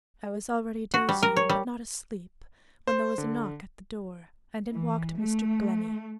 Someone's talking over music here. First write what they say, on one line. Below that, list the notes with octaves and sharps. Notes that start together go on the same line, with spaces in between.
I was already dozing, but not asleep, when there was a knock at the door, and in walked Mr. Glennie.
F#4
G3
A#4
C#5
G3
C5
D3
E3
A3